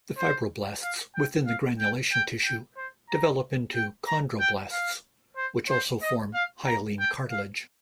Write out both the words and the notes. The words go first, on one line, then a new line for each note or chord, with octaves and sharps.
The fibroblasts within the granulation tissue develop into chondroblasts which also form hyaline cartilage.
C5
F5
G5
F5
G5
G5
G5
C5
A#5
G5
A#5
G5
F5
C5
C5
D#5
F5
A#5
G5
F5